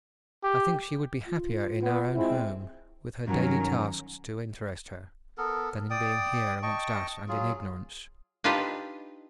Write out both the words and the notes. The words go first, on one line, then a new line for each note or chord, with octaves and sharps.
I think she would be happier in our own home, with her daily tasks to interest her, than in being here amongst us and in ignorance.
G4
F4
B3
G#3 C4 E4
G2 D#3 F#3 C#4 A#4 A#5
B3 A4 A#4
D5 G5 D#6
D#5 G5 A5 C#6
F#3 F4 G#4
D4 D#4 F4 G4 B4 D#5